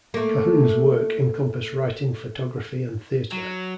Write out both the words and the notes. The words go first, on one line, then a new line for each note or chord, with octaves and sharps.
Cahun's work encompassed writing, photography, and theater.
A3 A#3
F#3